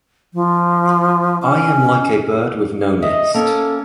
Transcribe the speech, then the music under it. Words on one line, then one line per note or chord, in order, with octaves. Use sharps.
I am like a bird with no nest.
F3
C#4
D#5 E5
A#3 C#4 A4